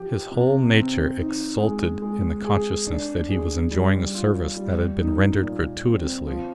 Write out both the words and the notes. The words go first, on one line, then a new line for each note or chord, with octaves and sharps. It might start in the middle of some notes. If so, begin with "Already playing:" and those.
His whole nature exulted in the consciousness that he was enjoying a service that had been rendered gratuitously.
Already playing: F3 G4
C3
C4
D#4
G#3
G#3
G#4
D4
G#4
G3
F4
G3
D#4
A#2
C4
F3